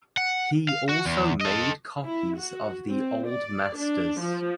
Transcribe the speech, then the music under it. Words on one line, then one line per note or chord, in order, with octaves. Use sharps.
He also made copies of the Old Masters.
F#5
F5
F#4
E2
A4 D#5
E4
F#4
C4
D5
D4
F3